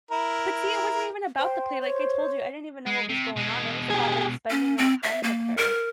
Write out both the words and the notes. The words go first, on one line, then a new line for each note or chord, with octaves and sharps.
But see, it wasn't even about the play like I told you, I didn't even know what was going on, it was about, like, spending that time with her.
E4 A#4
C5 G5
C#5
G#3
C3
B2 G#3
G4 G#4
C#4
C4
E5
A#3
A#4